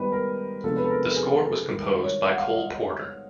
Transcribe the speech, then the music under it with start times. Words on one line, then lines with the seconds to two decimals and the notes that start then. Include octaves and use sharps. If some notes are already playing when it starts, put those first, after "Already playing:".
The score was composed by Cole Porter.
Already playing: G#2 D#3 G3 B3 D#4 B4 C5
0.12 A#4
0.64 C3 F3 G#3 B3 D4 A4
0.76 B4
0.84 A4
0.90 A#4
1.03 A#4
1.16 G#4
1.33 A4
1.50 A4
1.68 G#2 D#3 G3 A#4
1.86 C5
2.03 C#5
2.30 F#5
2.38 F5
2.54 D#5